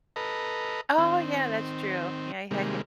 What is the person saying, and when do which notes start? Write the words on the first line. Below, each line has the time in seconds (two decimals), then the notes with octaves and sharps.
Oh, yeah, that's true. Yeah, yeah,
0.16 A4 B4 D#5 A#5
0.98 D#3 C4
2.51 C3 D#3 G3 G#3 A#3